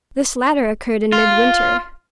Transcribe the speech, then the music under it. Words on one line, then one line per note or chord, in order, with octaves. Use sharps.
This latter occurred in midwinter.
F4